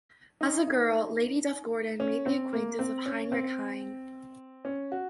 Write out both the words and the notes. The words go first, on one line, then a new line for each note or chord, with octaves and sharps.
As a girl Lady Duff-Gordon made the acquaintance of Heinrich Heine.
D#4
D#4
C#4
C4
A#3
C4
C#4
C4
C#4
F#4